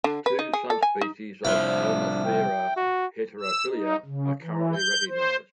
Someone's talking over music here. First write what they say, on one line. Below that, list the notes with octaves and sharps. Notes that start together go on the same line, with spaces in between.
Two subspecies of "Oenothera heterophylla" are currently recognized.
D3
B4
D#4
G#4
A4
G#5
D#4
C2 F3 D4 E4
G5
F#4
E6
D#4
C#3
E3
G6
C5